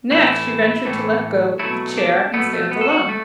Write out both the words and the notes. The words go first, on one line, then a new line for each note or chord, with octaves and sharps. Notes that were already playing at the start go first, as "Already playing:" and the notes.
Next she ventured to let go the chair, and stand alone.
A2 E3 A3 E4
A2 E3 A3
B2 F#3 A3 E4
D4
B2 F#3 A3 B3
A3
B3
A4
F#4
A3